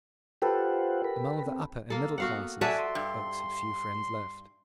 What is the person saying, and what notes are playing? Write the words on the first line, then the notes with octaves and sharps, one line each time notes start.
Among the upper and middle classes Oates had few friends left.
F4 G4 A4 B4 C5 F#5
A#4 B5
C4
A#3 A4
B3 F#4 F5 F#5
F#4 A4 D5 E5 G#5 A5
C6
G2